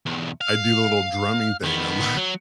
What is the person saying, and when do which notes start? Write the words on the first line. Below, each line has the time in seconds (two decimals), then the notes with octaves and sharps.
I do the little drumming thing on my
0.06 B1 E2
0.41 F5
1.64 D#3 B3
2.17 F#3